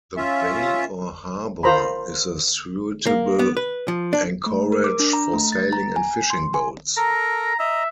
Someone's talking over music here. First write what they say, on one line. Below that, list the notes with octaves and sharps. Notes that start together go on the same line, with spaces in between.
The bay or harbour is a suitable anchorage for sailing and fishing boats.
C#4 F4 E5
F4 A#4 C5 A#5 B5
A#3
B3
B4
F3
D4
A3
A#4
D6
D4
A#5
A3
A6
A#5
G#5
C6
G#5
A4 A#4 A#5
D#5 E5 A#5